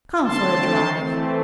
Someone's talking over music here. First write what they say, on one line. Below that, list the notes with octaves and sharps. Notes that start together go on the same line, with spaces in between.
Come for a drive!
D3 A3 C4 A5 C6
E3 A3 C4